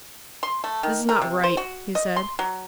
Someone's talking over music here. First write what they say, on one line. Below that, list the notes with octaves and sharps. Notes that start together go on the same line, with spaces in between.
"This is not right," he said.
C6
A3
D#3
A#4
C3
C5
F#4
D#5
C6
F#3